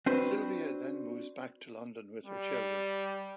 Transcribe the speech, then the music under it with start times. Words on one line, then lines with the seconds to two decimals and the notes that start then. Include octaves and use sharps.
Sylvia then moves back to London with her children.
0.06 C4 D4 F#4 B4 C5
2.26 G3